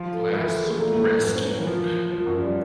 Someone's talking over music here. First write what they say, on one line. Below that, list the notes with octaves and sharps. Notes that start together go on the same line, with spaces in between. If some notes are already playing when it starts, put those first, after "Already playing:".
Glass rescued.
Already playing: F3 F4
A4
B4
E3 E4 A#4
A4
G#4
A3
A#2 A#3 A4
A2 A3
F#2 F#3 B4
C5
B4
E3 A#4
F3
F3
F#2 F#3
G3